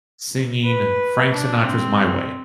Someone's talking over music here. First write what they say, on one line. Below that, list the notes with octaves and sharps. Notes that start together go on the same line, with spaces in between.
singing Frank Sinatra's "My Way."
B4
D4
C4